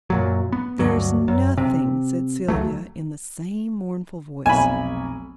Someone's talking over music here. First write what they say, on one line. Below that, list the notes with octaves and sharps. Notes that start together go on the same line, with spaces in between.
"There's nothing," said Celia in the same mournful voice.
F#2 A#2 F#3
B3
D2 G2 F#3
F#2
C3
C#2 F#3 A3
F1 B1 G#5 B5